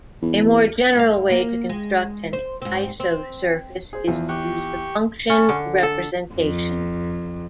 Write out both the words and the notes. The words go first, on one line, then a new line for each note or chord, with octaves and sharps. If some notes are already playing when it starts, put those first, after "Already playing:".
A more general way to construct an isosurface is to use the function representation.
E2
G#2 F5
A#3
G#3
C5
G#2 C4
C4
G#4 C5
E2 F3
G4 C#6 D6 F#6
C#4
D3
A4
F2